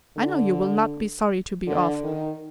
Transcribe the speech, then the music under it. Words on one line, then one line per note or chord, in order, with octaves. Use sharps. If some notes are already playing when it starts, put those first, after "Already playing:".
I know you will not be sorry to be off.
D3
D3
D#3